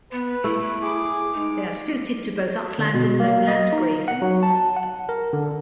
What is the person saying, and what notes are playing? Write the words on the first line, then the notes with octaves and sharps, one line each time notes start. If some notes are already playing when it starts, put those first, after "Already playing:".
They are suited to both upland and lowland grazing.
B3 B4
A3 E4
G#4 D6
G#3 D#4
D3
B2
A#3
D#5
D#4
F#5
F#3
A5
F#5
A#4
D3